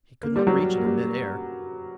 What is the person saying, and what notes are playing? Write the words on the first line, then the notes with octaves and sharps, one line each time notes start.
He could not reach it in mid-air.
A#3
G3
F#3
G3
A#3
G3